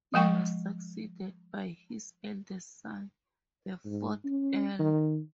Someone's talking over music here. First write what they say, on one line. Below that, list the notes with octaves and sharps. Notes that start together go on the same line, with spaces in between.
He was succeeded by his eldest son, the fourth Earl.
F3 G#3 G5 C#6
G#2
C#4
D#3